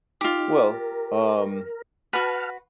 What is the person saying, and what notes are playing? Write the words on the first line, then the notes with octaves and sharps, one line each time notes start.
Well, um,
D#4 F4 G4
A#4
F#4 B4 F#5 A5 F6